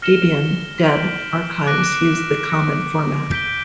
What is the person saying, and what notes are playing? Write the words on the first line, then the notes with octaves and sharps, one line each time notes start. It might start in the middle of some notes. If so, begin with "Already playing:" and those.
Debian ".deb" archives use the common format.
F6 A#6 C#7 E7 G7
G6 B6 D7 F#7
D6 F#6 A#6 D7
F#6 A#6 C#7
G6 B6 D7 G7